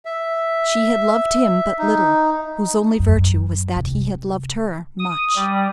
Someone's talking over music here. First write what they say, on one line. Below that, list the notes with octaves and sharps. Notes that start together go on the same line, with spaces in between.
She had loved him but little, whose only virtue was that he had loved her much.
E5
D#4
F#2
C3
D#6
G3